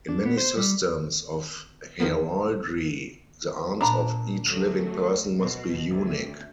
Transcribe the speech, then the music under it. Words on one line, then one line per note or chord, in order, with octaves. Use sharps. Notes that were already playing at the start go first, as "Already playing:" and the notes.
In many systems of heraldry, the arms of each living person must be unique.
D4
B3
C5
G3
D#3 F3 A#3 B3
A#2 D4 A#5 B5
D2 F#3 A3
B2
D2